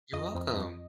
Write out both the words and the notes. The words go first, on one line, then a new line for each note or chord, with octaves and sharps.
You're welcome.
F2 D#5
F2
F2